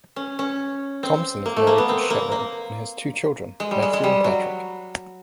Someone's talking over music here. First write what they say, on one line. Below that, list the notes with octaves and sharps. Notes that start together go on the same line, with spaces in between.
Thompson is married to Sharon and has two children, Matthew and Patrick.
C#4
C#4
C4
A#3
A3
A#3
B3
C4
A#3
A#3
G#3
G3
G#3
G#3
G3
F#3